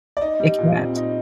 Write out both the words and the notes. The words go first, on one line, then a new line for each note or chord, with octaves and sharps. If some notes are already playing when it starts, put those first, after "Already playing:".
It can't.
D5
D#4 D#5
G3
A#2
C4
D#4